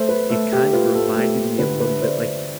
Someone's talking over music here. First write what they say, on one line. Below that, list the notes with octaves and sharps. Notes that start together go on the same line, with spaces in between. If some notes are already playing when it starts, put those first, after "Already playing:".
it kind of reminded me a little bit, like
Already playing: A3 C5
B4
A3 A4
G4
F4 B4
A4
A3 G4
D3 B4
B4
D4 C5